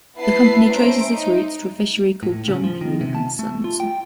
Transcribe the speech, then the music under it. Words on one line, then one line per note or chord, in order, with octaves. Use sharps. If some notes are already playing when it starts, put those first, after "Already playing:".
The company traces its roots to a fishery called John Pew and Sons.
B3 E4 B4 A5 C7
C#4 C5 E5 A#5 D7
D#4
A2
C#3
F3
D#3
C3
A5
A3
F4
G5